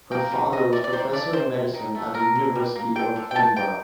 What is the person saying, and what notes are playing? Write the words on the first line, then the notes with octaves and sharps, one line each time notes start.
Her father was professor of medicine at the University of Coimbra.
A#3 G5
D#3
C3 D#5
C3 D5
D5
D#3 C5
A3 D5
C3 C5
C3
D#3
A3
D3 A#4
D3
G3
A#3
D3 G5
D3
G5
G3 A5
A#3 G5